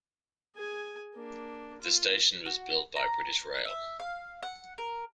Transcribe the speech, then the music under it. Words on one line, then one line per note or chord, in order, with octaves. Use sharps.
The station was built by British Rail.
G#4 G#5
A#3 D4
F4
F#4
A#5
E5
F5
F#5
A#4